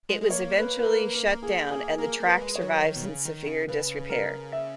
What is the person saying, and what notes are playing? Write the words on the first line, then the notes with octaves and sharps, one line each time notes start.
It was eventually shut down and the track survives in severe disrepair.
G#3
G#3
A#3 C#5
B4
B4
A#4
A#4
G#4
G#4
A#3 A#4
A#3
B4
G#3
C#5
F#3
D#3
B2
C#3
D#3
C#3
C#3 B4
A#4
E5